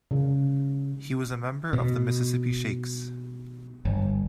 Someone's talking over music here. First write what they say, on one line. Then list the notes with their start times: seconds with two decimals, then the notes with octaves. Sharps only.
He was a member of the Mississippi Sheiks.
0.11 C#3
1.73 B2
3.85 G1